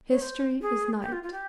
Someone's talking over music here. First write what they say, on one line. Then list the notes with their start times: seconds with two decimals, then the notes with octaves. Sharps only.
History is night.
0.10 C#5
0.21 C5
0.62 G#4
1.02 G4
1.12 F4
1.23 F4
1.32 G4